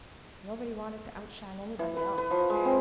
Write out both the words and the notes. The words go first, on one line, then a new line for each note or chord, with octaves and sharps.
Nobody wanted to outshine anybody else.
E3
B4
B4
F3
G#3
C4